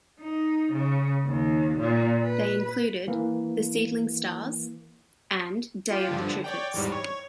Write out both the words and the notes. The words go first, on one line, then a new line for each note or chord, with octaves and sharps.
They included "The Seedling Stars" and "Day of the Triffids".
D#4
C#3
D#2
A#2
B4
E3 A#3
F4 G4
G2 D3 F3
C#5 D5 G5
E2 G#2 G3
C#5